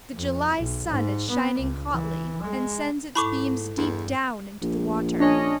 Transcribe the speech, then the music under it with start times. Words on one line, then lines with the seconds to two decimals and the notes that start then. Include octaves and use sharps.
The July sun is shining hotly, and sends its beams deep down into the water.
0.13 F2
0.57 B1
0.88 G#2
1.30 B3
1.59 C#2
1.91 E3
2.42 G#3
3.15 G#2 E4 A4 B5 C#6 D6
3.77 E2 G2
4.62 A#1
5.20 C#4 D4 C#5 D#5